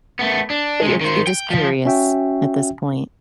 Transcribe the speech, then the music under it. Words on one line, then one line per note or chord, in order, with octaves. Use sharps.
But you're you're just curious at this point.
A3 B3
D4
C3 G#3
D#3 C5
G5
F3
C#4 F#4 E5 G5